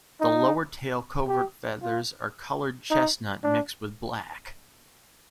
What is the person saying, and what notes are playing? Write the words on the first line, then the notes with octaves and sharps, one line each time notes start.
The lower tail-covert feathers are coloured chestnut mixed with black.
D#4
G4
F4
D#4
D4